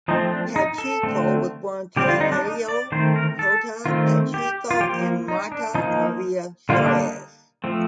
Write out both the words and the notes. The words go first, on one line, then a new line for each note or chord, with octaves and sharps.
Pacheco was born to Helio Cota Pacheco and Marta Maria Soares.
F3 A3 C4 D#4
D4
D#4
A4
D3 A3 C4
D3 G3 C4 G4
F4
D#4
D4
D#4
D5
D#3 A3 C4 C5
A#4
A4
D#3 A3 C4 F4
G4
F4
F3 A#3 G4
D#4
D4
F3 A#3 D#4
D3 G3 A#3 F4
D4
D#4
F3 A3 C4